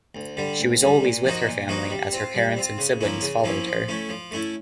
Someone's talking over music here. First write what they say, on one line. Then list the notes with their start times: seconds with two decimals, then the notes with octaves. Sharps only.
She was always with her family as her parents and siblings followed her.
0.15 D2
0.37 D3 G3
0.60 D2
0.81 D3 G3
1.03 A#2
1.24 F3 A#3 D#4 F#4
1.47 A#2
1.68 F3 A#3 D#4 F#4
1.90 G3
2.13 C4 F4
2.34 G3
2.57 C4 F4
2.78 C#3
3.01 F3 A#3 C#4 E4
3.21 C#3
3.44 F3 A#3 C#4 E4
3.66 F3
3.88 A3 C#4 E4
4.09 F3
4.31 A3 C#4 E4